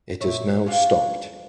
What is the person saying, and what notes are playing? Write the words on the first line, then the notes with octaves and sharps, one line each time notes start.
It has now stopped.
A#2 C#5 E5
C#4 D4 F4